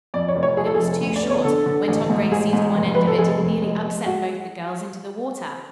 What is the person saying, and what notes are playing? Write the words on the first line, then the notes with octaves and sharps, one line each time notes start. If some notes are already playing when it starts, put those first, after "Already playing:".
But it was too short; when Tom Gray seized one end of it he nearly upset both the girls into the water.
F2 D5
C#5
F1
C#5
F3 G#4
A4
G#4
F1
D2
D5
B3
C#5
D3 A4
D3
A1
G#2
A1 G#4
G#2
F1
F1 B4
A4
F1 G#4
F1
G#3
G#3
G#3 F#4